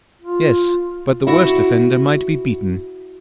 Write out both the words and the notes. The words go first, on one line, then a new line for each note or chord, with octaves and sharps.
"Yes; but the worst offender might be beaten."
F4
E4 F#4